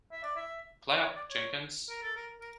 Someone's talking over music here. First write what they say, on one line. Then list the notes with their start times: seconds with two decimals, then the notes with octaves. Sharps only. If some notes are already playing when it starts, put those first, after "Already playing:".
Play up, Jenkins!
0.12 E5
0.24 D5
0.36 E5
1.02 C#5
1.16 D5
1.31 C#5
1.89 A#4
2.03 A4
2.16 A#4
2.41 A#4